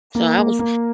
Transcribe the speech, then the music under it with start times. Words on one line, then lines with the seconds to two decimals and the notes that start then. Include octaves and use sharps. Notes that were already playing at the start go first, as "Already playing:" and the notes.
So I was
0.15 A#3
0.38 A#3
0.59 A#3